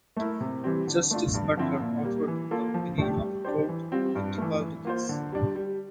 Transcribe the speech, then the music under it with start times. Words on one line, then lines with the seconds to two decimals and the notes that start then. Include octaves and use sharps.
Justice Butler authored the opinion of the Court in the "Tipaldo" case.
0.17 A3 E4 A#4
0.41 C3
0.64 E3 G3 C4
0.87 D3
1.11 A3 D4 F4
1.34 G2
1.57 D3 F3 C4 E4
1.80 A#2
2.04 G3 A#3
2.28 E3
2.51 A#3 F4 A4
2.74 F3
2.98 A3 D4 G4
3.21 G3
3.45 D4 G4 C5
3.69 E3
3.92 G3 C4 F4
4.15 G2
4.38 E3 A3
4.61 E3
4.85 A#3 F4 C5
5.09 D3
5.32 G3 D4
5.55 G3